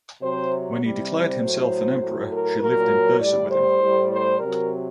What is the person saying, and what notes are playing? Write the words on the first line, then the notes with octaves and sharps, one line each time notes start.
When he declared himself an emperor she lived in Bursa with him.
C3 F#3 C5
C3 G3
C5
A2 F#3
A2 F#3
A#4
A#2 F#3 A#4
A2 G3 D5
C5
A2 G3
C5
C3 F#3 A#4